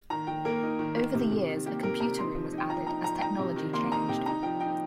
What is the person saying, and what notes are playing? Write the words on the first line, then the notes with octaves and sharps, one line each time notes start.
Over the years, a computer room was added as technology changed.
D#3 A#5
D#3 G5
A#3 A#4
D#4
D#3
D#3
C3
C3
D#3
A#3 G4
C3 A#4
C3 A#5
D#4 C6
F3
D#4
G5
F3 A#5
D#4 A#5
F3 A#5
G5
D#4 A#5
C3
D#3
A#3 C6
D#4 A#5
C3 G5
D#4 A#5
F3 G5
D#4 G5